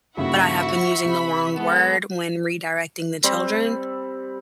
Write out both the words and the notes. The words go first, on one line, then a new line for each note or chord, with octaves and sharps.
but I have been using the wrong word when redirecting the children,
G1 D#2 C#3 E4 F#4 E5 F#5 C#6
C3 B5
G#3 B3 A4
G3 C4